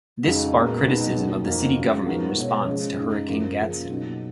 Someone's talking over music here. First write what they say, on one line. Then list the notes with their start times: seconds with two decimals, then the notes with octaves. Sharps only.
This sparked criticism of the city government in response to Hurricane Gaston.
0.23 F2 C#3 G#3 D#4 F#4
0.54 A#2 G#3 B3 F#4 A#4
0.84 C#2 B2 G#3 B3 D#4
1.14 D#2 D#3 F#3
1.45 F2 F3 A#3 D#4 F#4
1.76 C#3 F#3 C#4 F4
2.05 G#2 F3 B3 F#4 A#4
2.37 B2 G#3 B3 F#4 C#5
2.66 C#3 F3 G#3 C#4
2.97 F#2 C#3 G#3 D#4
3.27 F#2 F3 A#3 F4 A#4
3.58 C#3 F3 A#3 F4 G#4
3.89 B2 F#3 A#3 D#4